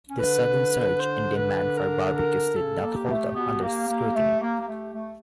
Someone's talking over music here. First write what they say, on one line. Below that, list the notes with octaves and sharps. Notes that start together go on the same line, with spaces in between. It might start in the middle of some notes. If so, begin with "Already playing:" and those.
The sudden surge in demand for barbecues did not hold up under scrutiny.
C#4
D3 D4 B4
C5
B4
A#4
A#4
C#3 C#4 A4
A#3
G4
A3
B2 B3
A#3
A#3
A3
A#3
A#3
A3
A3